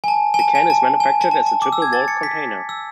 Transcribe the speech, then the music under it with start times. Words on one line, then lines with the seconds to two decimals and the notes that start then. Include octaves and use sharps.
The can is manufactured as a triple-walled container.
0.04 G#5
0.08 A5
0.34 G#5
0.39 A5
0.55 G#5
0.70 A5
1.00 G#5
1.21 A5
1.31 A5
1.46 A5
1.62 D6
1.73 E6
1.82 G#6
1.93 A6
2.08 C#7
2.23 B6
2.69 E6